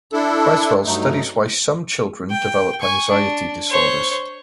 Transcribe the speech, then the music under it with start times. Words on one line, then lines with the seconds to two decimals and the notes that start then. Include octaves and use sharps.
Creswell studies why some children develop anxiety disorders.
0.13 D4 E4 A4
0.85 G2 F#3 A3 D#4
2.30 G5
2.81 G#5 C#6
3.11 D4
3.70 C5 C#5